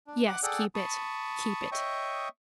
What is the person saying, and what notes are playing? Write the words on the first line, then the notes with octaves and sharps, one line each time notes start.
"Yes, keep it--keep it."
D4
F#5 D6 F#6
G#4 A4 D5 F#5 G5
A5 B5 C#6 D#6
C#5 D#5 E5 G5 C#6 D#6